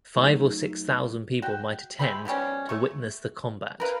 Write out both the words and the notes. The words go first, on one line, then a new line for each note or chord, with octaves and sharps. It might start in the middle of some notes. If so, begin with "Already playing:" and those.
Five or six thousand people might attend to witness the combat.
F#3 A3 D#4
F#4 G5
G#3 A3 G4 B5
B2 F3 G3 C#4
A3 C#6
A#4 B4 F5